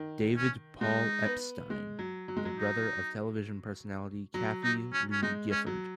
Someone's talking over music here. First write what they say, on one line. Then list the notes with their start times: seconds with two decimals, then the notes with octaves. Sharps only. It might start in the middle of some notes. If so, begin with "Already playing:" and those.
David Paul Epstein, the brother of television personality Kathie Lee Gifford.
Already playing: D#3
0.37 C#4
0.81 G#3 D#4
1.26 B3
1.70 G#3
1.99 F#3
2.28 F#3
2.37 G#3
2.45 F#3
2.58 D#4
4.34 F#3
4.64 D#4
4.93 C#4
5.12 C#4
5.23 G#3 D#4
5.52 C#4
5.66 F#3